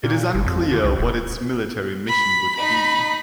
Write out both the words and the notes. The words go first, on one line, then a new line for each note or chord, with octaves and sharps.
It is unclear what its military mission would be.
A#2
G1
F2
D3
C2
D#1
B5
D#4 B5